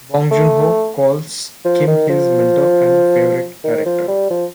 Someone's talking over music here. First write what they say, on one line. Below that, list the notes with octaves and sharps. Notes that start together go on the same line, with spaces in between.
Bong Joon-ho calls Kim his mentor and favorite director.
A3
F3
D#3
F3
D#3
F3
G3
F3